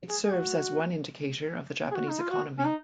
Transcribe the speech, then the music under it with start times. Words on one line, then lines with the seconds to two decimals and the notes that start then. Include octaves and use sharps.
It serves as one indicator of the Japanese economy.
0.09 G#4
0.24 G#4
0.32 F#4
1.91 G#4
1.95 F#4
2.09 D#4
2.20 F4
2.30 F#4
2.59 C#4
2.65 D#4